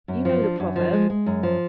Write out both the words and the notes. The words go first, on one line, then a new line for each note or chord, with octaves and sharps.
'You know the proverb.'
F#2
F3
D4
F#2
F3
G#3
G#3
F#2
F3